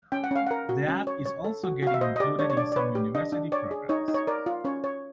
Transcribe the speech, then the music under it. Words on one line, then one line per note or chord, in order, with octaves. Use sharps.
The app is also getting included in some university programs.
C#4 G5
F#5
C#4 F5
A#4 F#5
F#4
C#4
C#5
C#5
A4
F#4
F#4 F5
E5
C5 D#5
D#5
G4 D5
D4 C#5
C#5
D4 D5
D5
B4 C#5
G4
D4 D#5
D4
C#5 D5
G#4
D#4 C#5
D#4
C#5
A#4 D5
F4
C#4 C#5
C#5